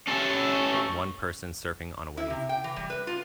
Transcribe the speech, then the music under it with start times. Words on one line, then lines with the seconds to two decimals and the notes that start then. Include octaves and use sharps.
One person surfing on a wave.
0.08 C#4 A4
2.17 E4
2.30 C3
2.49 G5
2.64 E3
2.76 G3
2.90 B4
3.07 F4